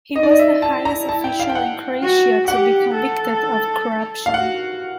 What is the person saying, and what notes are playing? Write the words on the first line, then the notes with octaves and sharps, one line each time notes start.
He was the highest official in Croatia to be convicted of corruption.
D#4 D#5
D5
D#5
E5
E4 A5
A#5
A5
G5
F5
G5
F#5
F#4
G4 F#5
A4
F5
F#4 F#5